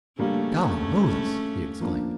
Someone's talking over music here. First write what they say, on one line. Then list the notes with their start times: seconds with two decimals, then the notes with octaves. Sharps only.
"Golly Moses!" he exclaimed.
0.18 C#3 G3 A3 A#3 C#4 D4
1.80 F3 A#3 D4